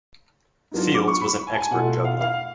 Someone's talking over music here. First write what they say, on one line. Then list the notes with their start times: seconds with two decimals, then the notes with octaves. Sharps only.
Fields was an expert juggler.
0.72 G#2 F#3 B3 D4 F4
0.94 D6
1.08 C#6
1.21 B5
1.47 G#5
1.54 A5
1.60 G#5
1.71 B2 A3 F4 F#5
1.88 F#5
2.04 F5
2.21 F5